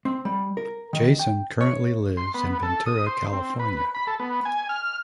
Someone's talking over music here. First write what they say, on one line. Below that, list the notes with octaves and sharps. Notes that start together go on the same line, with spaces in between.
Jason currently lives in Ventura California.
C4
G3
A#4
D#3
G5
C#5
C6
B3
A4
D#6
C5
C4
B4
B5
A4
B3
G#5
F6